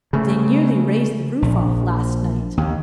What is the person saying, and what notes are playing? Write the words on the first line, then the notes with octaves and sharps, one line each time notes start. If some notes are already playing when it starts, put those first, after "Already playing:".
They nearly raised the roof off last night.
C#3 A3
A#1
D#2